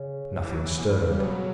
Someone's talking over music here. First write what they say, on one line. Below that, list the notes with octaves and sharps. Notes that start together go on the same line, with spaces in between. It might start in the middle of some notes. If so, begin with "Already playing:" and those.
Nothing stirred.
Already playing: C#3
E3
G3
F#3
D3
E3
B2
C#3
G3
B2 F#3